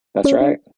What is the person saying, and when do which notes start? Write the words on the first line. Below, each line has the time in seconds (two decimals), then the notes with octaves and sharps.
That's right.
0.24 C#4
0.40 D4